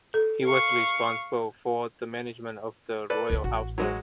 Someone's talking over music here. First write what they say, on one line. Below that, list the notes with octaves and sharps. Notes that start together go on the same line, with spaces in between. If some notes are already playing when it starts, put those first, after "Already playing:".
He was responsible for the management of the royal household.
A4
F5 C#6
A4 B4 D5
C#2 F4
A1 F#4
F#3 G#3 F#4